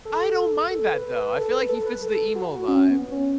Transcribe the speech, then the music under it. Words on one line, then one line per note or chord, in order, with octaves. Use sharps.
I don't mind that, though. I feel like he fits the emo vibe.
A4
A4
B4
B4
A4
B4
A4
B4
A4
F#4
C#4
B3
C#4